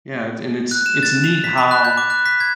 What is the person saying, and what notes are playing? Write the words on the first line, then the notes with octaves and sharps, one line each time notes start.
Yeah, and it's it's neat how
F#6
E7
A6
F7
B6
B5
F#6
G6
D6
F#6
B6
G#6